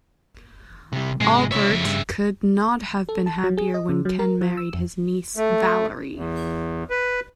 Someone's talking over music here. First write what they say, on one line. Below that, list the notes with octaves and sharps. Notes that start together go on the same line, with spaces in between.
Albert could not have been happier when Ken married his niece Valerie.
C3 G3
G#2 C3 G#3
C2 C#3 C#5 E5
F2
G2
A4
A5
F#3
G#4
D#5
C#3
F#3
A#4
F3
E6
F2
A3
E2
B4